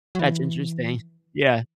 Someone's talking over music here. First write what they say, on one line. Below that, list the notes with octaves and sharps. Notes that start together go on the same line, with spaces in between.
That's interesting. Yeah.
F#3
E3